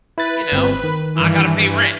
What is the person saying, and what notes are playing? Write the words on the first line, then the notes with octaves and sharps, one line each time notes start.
you know, "I gotta pay rent,"
E4 B4 A6
G1 C4
D#3
G2 E3